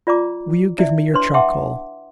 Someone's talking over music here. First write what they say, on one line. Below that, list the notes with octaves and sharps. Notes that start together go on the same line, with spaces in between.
Will you give me your charcoal?'
F4 D5 A#5 D6
E4 D5 E5
D4 B4 C#5 C6
E5 F#5 G5 A5 C6 D6